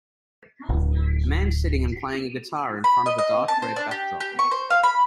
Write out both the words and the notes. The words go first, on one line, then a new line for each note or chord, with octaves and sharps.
A man sitting and playing a guitar in front of a dark red backdrop.
D1 G1
B5
D#5
D#5
A5
C5
D4
G4
G4
C#6
C5
F5
B5